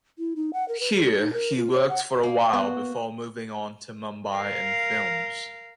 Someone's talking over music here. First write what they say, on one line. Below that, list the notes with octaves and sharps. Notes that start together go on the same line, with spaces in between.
Here he worked for a while before moving on to Mumbai and films.
E4
D#4
F#5
A#4
B4
G#4
A4
D#4
A#4
F4
C#5
F#5
A#3
B3 F#4
A#4 F5